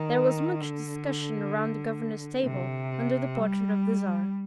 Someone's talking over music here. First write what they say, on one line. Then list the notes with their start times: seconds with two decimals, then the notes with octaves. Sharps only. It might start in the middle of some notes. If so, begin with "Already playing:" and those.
There was much discussion around the governor's table under the portrait of the Tsar.
Already playing: D#3
0.61 D3
2.44 C3
3.36 G3